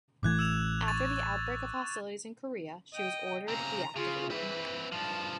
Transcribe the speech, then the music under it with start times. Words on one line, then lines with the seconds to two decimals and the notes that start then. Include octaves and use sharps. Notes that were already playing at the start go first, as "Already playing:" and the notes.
After the outbreak of hostilities in Korea, she was ordered reactivated.
0.23 A1 E3 A3 D6 F#6 G#6
0.39 E6 E7 F7
0.88 C#6 A6 D#7
2.95 D#5 G5
3.48 C#3 C4 A#5
3.96 C#3 F4 G#4
4.30 E3 C4 B4
4.92 G2 F3 A5